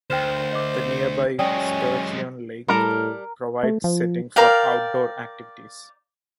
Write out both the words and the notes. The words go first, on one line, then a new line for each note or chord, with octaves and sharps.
The nearby Sturgeon Lake provides setting for outdoor activities.
D2 C5 G5 F6 E7
D#5 D6
F#3 G#3 C#4 D5 G5 D#6
A2 G3 A#4 A5 A#5
A3
F3
A#4 D5 F5 G5